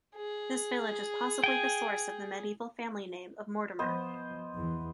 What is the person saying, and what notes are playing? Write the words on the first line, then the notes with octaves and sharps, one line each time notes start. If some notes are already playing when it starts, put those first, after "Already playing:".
This village is possibly the source of the medieval family name of Mortimer.
G#4
G5 G#5
F3 B3 C5 D#5
E2 E3